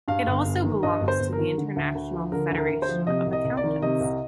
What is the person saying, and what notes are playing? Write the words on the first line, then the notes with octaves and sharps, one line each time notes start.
It also belongs to the International Federation of Accountants.
G2 F5
G1
G1
D#3
G2 D#5
G1
C5
G1
A#4
D#3
D3
D2
D2
F3
D3 A#4
D2
A#4
D2
C5
F3
C3 D#5
C2
D#5
C2
D5
D#3
C3 D#5
C2